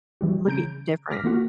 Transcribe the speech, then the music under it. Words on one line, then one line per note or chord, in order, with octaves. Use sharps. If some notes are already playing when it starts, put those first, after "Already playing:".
look at y different.
E3 G3 F#4
C#3 A#5 G6 D7
D6 F6 A#6 B6
E3 A#3 F4 F#4